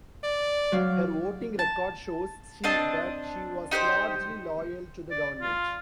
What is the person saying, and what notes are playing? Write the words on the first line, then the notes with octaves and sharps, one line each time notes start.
Her voting record shows she that she was largely loyal to the government.
D5
F#3 F5
A5
C4 D4 D#5 A5
D#4 G4 B4 C5
D5
F4